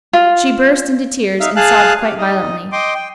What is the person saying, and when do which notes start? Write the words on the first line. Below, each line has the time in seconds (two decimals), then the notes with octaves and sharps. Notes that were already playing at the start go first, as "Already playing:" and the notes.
She burst into tears, and sobbed quite violently.
0.13 F4
1.40 D#4 E5 F5
1.56 G#4 F5 A5 F#6
2.01 G4 F5
2.18 D#4 D#5
2.72 D#5 G5 C6 D6
2.95 G5